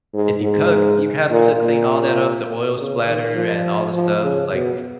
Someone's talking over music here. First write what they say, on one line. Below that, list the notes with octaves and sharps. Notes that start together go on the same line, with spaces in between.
if you cook, you have to clean all that up, the oil splatter and all the stuff like,
G#2
G#2
A#2
A#2
C#3
D#3
F3
F3
C#3
B2